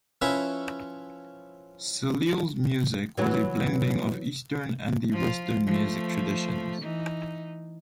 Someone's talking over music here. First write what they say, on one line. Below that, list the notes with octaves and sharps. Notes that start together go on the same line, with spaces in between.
Salil's music was a blending of Eastern and the Western music traditions.
F3 C#4 E4 B4 C#5 E5
E3 F#3
F3 F4
F3 A3
E3 D#4